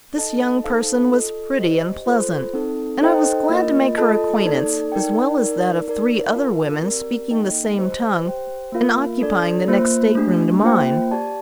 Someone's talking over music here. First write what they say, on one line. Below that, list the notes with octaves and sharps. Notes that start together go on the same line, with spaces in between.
This young person was pretty and pleasant, and I was glad to make her acquaintance as well as that of three other women speaking the same tongue and occupying the next stateroom to mine.
D#4 A4 D#5 A5
D#4 A4 C5 F5 A5
F4 A4 D#5
G4 C5 D#5
F4 A4 C5
C4 D#4 A4
D#4 A4 C5 D#5 G5
A#3 F4 A#4 D#5
F4 A4 D#5 A5
A#3 D#4 A4 D5
D#4 A#4 D5 G5
D#4 A#4 D5
D#4 A#4 D5
F4 A#4 F5 A5
C4 G4 A#4 D5
A#3 D#4 A4 D#5 G5
G4 C5 D#5
G4 C5 G5
A#3 F4 A#4 F5
D4 A4 D5
A#3 F4 C5
A3 D4 G4
A#3 F4 C5 G5
G4 D5 A5